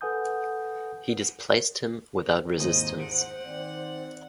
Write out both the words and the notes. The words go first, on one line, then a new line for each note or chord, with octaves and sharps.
He displaced him without resistance.
A4 B4 F#5 G#5 D#6 G6
G#1 D#2 G#2 C5 D#5
F#5 D7
D#3 C4 D5